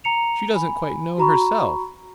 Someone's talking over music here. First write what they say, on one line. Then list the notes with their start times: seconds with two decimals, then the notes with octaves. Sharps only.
She doesn't quite know herself.
0.04 A#5 C#7 F7
0.55 G#5 B5
1.18 F#4 A#5 B5 C#6